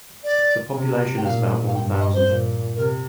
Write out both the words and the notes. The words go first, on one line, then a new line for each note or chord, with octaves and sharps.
The population is about one thousand.
D5
C3
G5
A#2 F5
F5
G2 G5
D#5
C5
A#2
C3 A#4